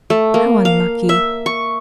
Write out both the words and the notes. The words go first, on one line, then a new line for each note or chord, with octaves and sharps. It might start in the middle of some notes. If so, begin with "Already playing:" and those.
How unlucky!
A3
A#3
F5
E5
C#6